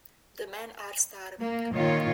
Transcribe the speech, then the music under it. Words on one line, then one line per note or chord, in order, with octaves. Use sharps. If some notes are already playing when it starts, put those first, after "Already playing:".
The men are starving.
A#3
A#2 D#3 F4 C#5